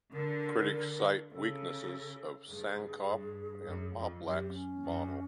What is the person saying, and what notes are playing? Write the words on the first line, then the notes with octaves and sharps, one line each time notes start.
Critics cite weaknesses of Sankoff and Poplack's model.
D3 A#4
C#3 A4
G2 G#4
G2
F#2
F2
F#2 G4
C4
C#4
F#2